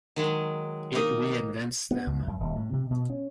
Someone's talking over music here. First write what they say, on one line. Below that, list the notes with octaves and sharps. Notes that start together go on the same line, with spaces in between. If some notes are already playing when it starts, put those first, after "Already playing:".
It reinvents them.
D#3 F#3 G#3
A#3 D#4 D#5
B3
C#2
F#2
D#1
A2
C3
B2
C#4